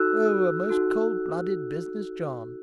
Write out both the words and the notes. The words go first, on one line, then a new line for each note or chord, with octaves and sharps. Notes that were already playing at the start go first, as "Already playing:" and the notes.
Oh, a most cold-blooded business, John!
Already playing: D#4 F#4 A4 E6 F#6
D#4 F#4 A4